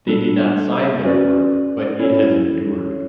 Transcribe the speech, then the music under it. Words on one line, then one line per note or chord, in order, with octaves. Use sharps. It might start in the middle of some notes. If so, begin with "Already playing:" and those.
They did not sign their work, but it has endured.
G3 D4 A4
C#4 F#4 B4 D5
C#4 E4 A4 C#5